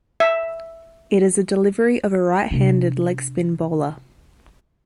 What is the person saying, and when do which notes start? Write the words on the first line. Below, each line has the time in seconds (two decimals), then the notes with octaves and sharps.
It is a delivery of a right-handed leg spin bowler.
0.20 E5
2.51 C3 D4